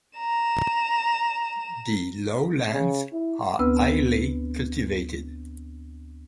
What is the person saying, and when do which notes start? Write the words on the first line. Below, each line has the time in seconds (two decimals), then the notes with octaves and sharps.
The lowlands are highly cultivated.
0.18 A#5 E7
2.73 C#3
3.13 E4
3.59 D2 B3 C4 B4 E6